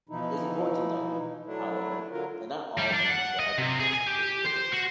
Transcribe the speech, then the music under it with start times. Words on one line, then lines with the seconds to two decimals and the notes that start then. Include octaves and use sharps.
It is important to note, however, that not all humans share identical circadian rhythms.
0.09 B2 E3 F3 D#4 E4
1.46 F#3 A3 D4 E4
2.11 D3 F#3 F4 A#4
2.78 G3
2.93 D4
3.10 F#5
3.40 D#5
3.58 C3
3.80 G#4
3.94 G#5
4.07 G4
4.45 C5
4.72 F#4